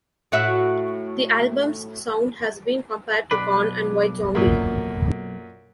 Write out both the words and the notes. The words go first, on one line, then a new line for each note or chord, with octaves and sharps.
The album's sound has been compared to Korn and White Zombie.
A2 F#4 E5
B1 D4 B4
F#2 A#2